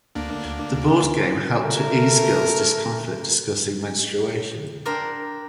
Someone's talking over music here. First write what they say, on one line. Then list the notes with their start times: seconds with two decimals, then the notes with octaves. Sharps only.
The board game helped to ease girls’ discomfort discussing menstruation.
0.15 D2 A#3 D4
1.64 A3 A#4
4.85 D4 A#4 C5 G5